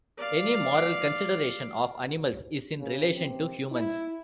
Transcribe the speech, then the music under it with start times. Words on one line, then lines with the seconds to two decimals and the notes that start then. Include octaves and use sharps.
Any moral consideration of animals is in relation to humans.
0.17 D5 F5
2.80 C#3
3.16 C3
3.72 E4